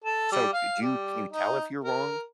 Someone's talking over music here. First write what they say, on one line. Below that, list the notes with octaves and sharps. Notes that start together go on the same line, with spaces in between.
So c you can you tell if you're wrong?
A4
G3
F5
G3
D#4
A#4